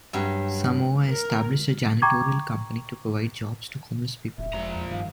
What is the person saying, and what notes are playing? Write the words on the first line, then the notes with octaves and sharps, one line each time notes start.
Samoa established a janitorial company to provide jobs to homeless people.
G2 F#3
A#4
G5 A#5 C#6 D6 G#6
D#1 G#1 A2 E5
F#1 F2 F3 G#3 A#5
E2
E1 G2 D#3 G3 F5